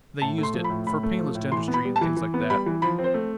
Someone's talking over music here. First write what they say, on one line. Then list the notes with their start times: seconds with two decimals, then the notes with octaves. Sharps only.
They used it--for painless dentistry and things like that!
0.22 A2 A5
0.38 A3
0.43 C6
0.54 F3
0.64 B5
0.70 A2
0.86 A2 B5
1.03 A3
1.19 F3
1.35 A2
1.52 E3 C6
1.68 B3
1.74 B5
1.85 G3
1.96 A5
2.01 E3
2.17 E3
2.34 B3
2.50 G3 B5
2.66 E3
2.82 F3 B5
2.99 C4
3.04 C5
3.14 A3